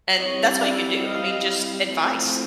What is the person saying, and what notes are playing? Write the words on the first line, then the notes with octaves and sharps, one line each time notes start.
and, that's all you can do, I mean, just advice.
G3 C4 E4 C#5 D#5
D5 E5
D#5 F5
F3 A3 C4 E4